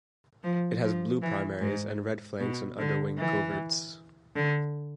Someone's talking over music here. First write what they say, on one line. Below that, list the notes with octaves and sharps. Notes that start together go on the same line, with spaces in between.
It has blue primaries, and red flanks and underwing coverts.
F3
F3
E3
G#2
B2
D3
E3
D3